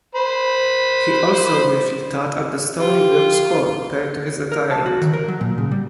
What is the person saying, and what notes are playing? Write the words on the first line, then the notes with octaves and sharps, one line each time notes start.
He also briefly taught at The Stony Brook School prior to his retirement.
C5 B5
F4 G4
A#4
A5
F#4
D#3
A#4
F#3
A#2
C#3
G3